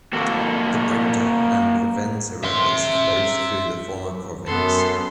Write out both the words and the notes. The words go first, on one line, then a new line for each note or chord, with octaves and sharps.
The Brenta and Livenza rivers flows through the former province.
A#3 F#4 A4
E5 C6
F#2 B3 A4 C6